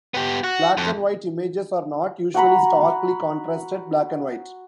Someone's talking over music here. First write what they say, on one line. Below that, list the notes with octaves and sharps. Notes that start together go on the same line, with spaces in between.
Black-and-white images are not usually starkly contrasted black and white.
B3 G4
F#4
F2
F#4 F#5 A#5 B5